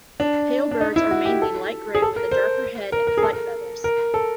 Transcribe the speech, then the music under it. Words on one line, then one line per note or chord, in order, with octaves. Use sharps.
Pale birds are mainly light grey with a darker head and flight feathers.
D4
D4
D#4
E4
F#4
G4
A4
G#4
A4
A#4
C5
A#4
A#4
G#4
A4
A#4
A#4
A4